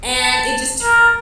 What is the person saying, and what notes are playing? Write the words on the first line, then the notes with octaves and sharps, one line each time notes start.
and it just turned
A5
A#4